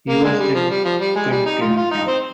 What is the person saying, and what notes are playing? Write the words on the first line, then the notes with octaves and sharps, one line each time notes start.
He was then cut training camp.
A#3
G#3
G3
F3
G3
F3
G3
G#3
G3
D#4
F4
F4
D#4
C4